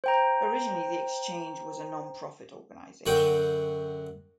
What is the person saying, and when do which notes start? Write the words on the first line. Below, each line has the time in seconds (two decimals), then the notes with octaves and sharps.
Originally, the exchange was a non-profit organization.
0.04 C5 G5 A#5
3.06 F#2 D3 F#4 G5